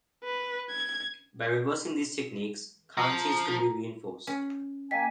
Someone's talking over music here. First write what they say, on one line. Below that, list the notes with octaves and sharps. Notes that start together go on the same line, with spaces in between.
By reversing these techniques, currencies could be reinforced.
B4
G#6
F3 A#5
C#4
A#3 D#5 G5 G#5 B6